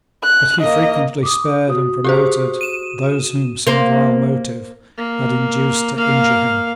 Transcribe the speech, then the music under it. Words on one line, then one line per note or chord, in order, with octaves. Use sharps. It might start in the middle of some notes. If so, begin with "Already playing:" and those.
But he frequently spared and promoted those whom some vile motive had induced to injure him.
F#6
A#3 D#5
D6 D#6
F#4 D#6
G4 G#4 C5
D#7 E7
A#3 C5
A#3
A#3 F5